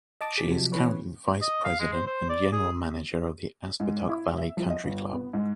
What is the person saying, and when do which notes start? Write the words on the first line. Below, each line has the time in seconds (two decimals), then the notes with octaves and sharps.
She is currently vice president and general manager of the Aspetuck Valley Country Club.
0.21 D#5 A5 D6
0.36 G#4 B6
0.48 C3 F3 F#3
0.72 E3 B3 C#4 B4 C#5
1.42 D#5
1.64 F5
1.80 G#3
1.93 C5
2.07 C5
2.29 D5
2.52 G#4
3.80 G#2
4.09 E4
4.38 E5
4.57 F3
4.70 D#5
4.84 G1
5.13 B3
5.33 G#2